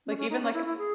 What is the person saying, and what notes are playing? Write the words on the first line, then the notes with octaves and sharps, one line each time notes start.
Like, even, like,
C#4
C#4
D#4
C#4
E4
E4
G#4